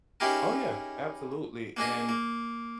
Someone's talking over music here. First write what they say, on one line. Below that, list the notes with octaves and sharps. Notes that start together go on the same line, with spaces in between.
Oh, yeah. Absolutely, and,
C#4 D#4 E4 G4 G#4 A#4
A#3 D4 G#4 D#5
A#3